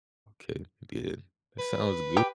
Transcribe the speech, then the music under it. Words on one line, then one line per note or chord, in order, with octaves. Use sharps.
Okay, good. That sounds good,
B4
G4